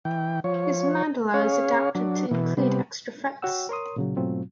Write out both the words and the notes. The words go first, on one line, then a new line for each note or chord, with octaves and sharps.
His mandola is adapted to include extra frets.
E3 G5
F3 C#5
C#4 G#4 C#5 F5
F#3 D4
B2 E3
C3 G3 B3
F#4 C#5 F#5 G5 E6
A#4 C#5 C6 D#6
A#2 C#3 F#3
G#2 B2 F#3 A3 C4 F4